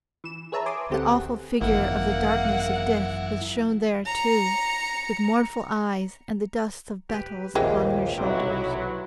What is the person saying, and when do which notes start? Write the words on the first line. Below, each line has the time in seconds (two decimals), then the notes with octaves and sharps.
The awful figure of the Darkness of Death was shown there, too, with mournful eyes and the dust of battles upon her shoulders.
0.24 E3 E7
0.52 G#4 B4 C#5 E5 A5 A#5
0.66 G#5 C6 D6 D#6
0.90 D2 C4 G4 A4 F#5
1.61 G#1 F#2 E3 A#3 E4 F#5
4.06 A#5 C#7
7.09 G4 B4
7.55 A#1 D#2 E3 G#3 G4
8.18 B1 C3 F#3 E4 G5